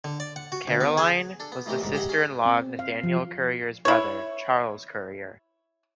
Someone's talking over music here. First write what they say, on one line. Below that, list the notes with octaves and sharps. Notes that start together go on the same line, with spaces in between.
Caroline was the sister-in-law of Nathaniel Currier's brother, Charles Currier.
D3
D5
F#5
F#4
D2
B3
G#4
D4 A4
B3
A2 D#3 E3 A3 C4 G4
C2 G#2
G4 G#4 D#5 E5 F#5
C#4 G#4
C4
F5
F3
E4 C#5